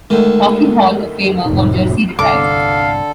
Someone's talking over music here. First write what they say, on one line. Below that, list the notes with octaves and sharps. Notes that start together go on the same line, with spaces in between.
Hockey Hall of Famer or jersey retired.
D2 D#3 G#3 A3
F1 A2 D#4
G1 C2 D3 A4 F5 D6